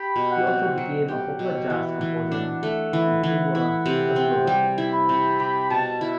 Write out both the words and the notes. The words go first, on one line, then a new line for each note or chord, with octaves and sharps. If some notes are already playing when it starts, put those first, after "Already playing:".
He also became a popular jazz composer in pre-war Czechoslovakia.
Already playing: G4 B5
B2
F#5
C4
F#3 F#5
G4
B2
E3
E3
D4
A3
E3
E3
E4
C3
C4
G3 G5
E4
B5
C3
G4 B5
B2 A5
E4